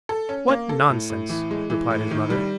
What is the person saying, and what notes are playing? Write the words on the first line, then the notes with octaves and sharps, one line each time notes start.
"What nonsense," replied his mother.
A4
C#4
A#3
A4
A2
A2
E3
G#3
E3
A2
D#3
G3